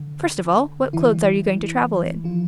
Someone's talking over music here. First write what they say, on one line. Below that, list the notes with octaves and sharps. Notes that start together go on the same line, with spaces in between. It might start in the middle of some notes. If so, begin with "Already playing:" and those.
"First of all, what clothes are you going to travel in?"
Already playing: D3
E3 E4
F3 F4